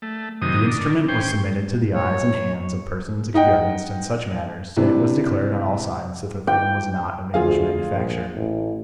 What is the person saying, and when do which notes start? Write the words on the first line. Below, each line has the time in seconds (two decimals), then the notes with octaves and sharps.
The instrument was submitted to the eyes and hands of persons experienced in such matters, and it was declared on all sides that the thing was not of English manufacture.
0.02 A3
0.42 F#2 C3 D#3 D#6
0.67 D#3 D4
1.08 C#4 C5 G5
1.93 C#5
3.34 D#4 D#5 F#5 G5
4.77 C3 E3 D4
6.47 G5
7.34 D2 F4 G#4 F5
7.92 A#1
8.36 A1